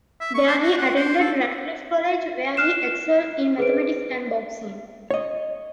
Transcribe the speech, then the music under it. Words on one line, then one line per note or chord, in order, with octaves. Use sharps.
There he attended Ratcliffe College, where he excelled in mathematics and boxing.
E5
C#6
C5
F#4
F#5
C5
A4
F6 F#6 C7 E7
G#4 B4 C5 D7
C#5 D#5